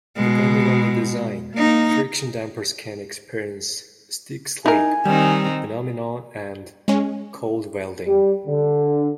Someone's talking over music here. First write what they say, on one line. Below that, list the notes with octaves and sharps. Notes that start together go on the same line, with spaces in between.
Depending on the design, friction dampers can experience stick-slip phenomenon and Cold welding.
B2 G#3
A#3 D#4
D#4 E4 A#4 G#5
D#3 G3 C4 D#4
G#3 C#4
G3
D3